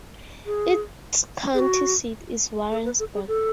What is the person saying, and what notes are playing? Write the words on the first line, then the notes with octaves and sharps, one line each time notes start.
Its county seat is Warrensburg.
G#4
G#4
F#4
A4
B4
A4
G#4
A4